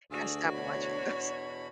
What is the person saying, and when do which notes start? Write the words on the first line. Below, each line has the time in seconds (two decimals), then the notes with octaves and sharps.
Gotta stop watching those.
0.11 D2 D4 F#4 G#4 E6
0.54 E2 B2 C#5 B5